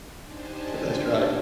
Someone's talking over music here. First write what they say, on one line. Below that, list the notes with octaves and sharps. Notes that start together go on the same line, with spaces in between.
but that's right.
D4 D#4 G4 C5 G#5 A5